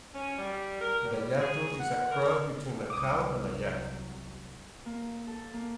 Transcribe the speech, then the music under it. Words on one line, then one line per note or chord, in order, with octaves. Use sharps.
The yattle is a cross between a cow and a yak.
C#4
G3
A#4
G3
G#4
F#5
A#4
C2 F#3 D6 D#6
A#3
A4
A#3